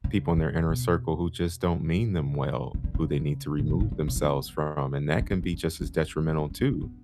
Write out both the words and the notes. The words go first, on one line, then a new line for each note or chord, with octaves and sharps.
people in their inner circle who just don't mean them well, who they need to remove themselves from, and that can be just as detrimental too.
C#3
C#3
B2
A2
C#3
D3
C#3
A2
B2
C#3
D3
C#3
E3
B3
D4
C#4
B3
D4
B3
C#4
C#4
C#4
D4
C#4
D4
D4
B3